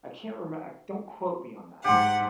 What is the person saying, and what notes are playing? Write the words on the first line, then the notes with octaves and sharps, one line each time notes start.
I can't reme don't quote me on that.
G#2 G4 F#5 C6